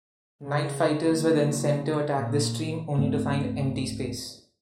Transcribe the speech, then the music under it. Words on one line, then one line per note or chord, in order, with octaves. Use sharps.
Night fighters were then sent to attack this stream, only to find empty space.
C#3
F#1
A#2
D1 G#2 A3 C4